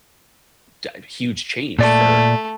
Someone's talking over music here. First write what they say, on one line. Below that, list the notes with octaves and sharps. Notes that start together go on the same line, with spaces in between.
d huge change for
A#2 A3 D5